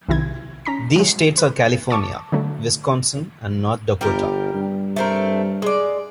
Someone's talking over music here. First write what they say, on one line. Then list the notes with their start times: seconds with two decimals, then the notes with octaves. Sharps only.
These states are California, Wisconsin, and North Dakota.
0.09 B1 C3 D#3 E4 G#6
0.65 C#4 A#5 B6
0.96 F#3 G#3
1.38 B4
1.90 A5 C#6 D6
2.32 D3 F#3 A3
4.01 G1 G3 G4 A#4
4.55 G2
4.96 A3 C4 A#4
5.62 G#3 D5